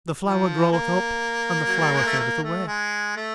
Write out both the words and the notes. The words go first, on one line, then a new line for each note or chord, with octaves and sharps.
The flower groweth up and the flower fadeth away.
F3
A#3
F#3
G3
G#3
A3
A#3
A3
G#3
A3